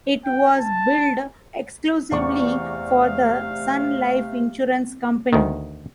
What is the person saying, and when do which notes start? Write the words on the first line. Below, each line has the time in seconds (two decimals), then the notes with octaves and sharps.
It was built exclusively for the Sun Life Insurance Company.
0.25 G5
0.59 A5
2.12 E2 C3 A3 D5 F5 C#6
5.33 D2 D#3